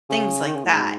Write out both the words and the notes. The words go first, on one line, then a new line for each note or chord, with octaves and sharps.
things like that.
C#3
D#3
C#3
A2
G#2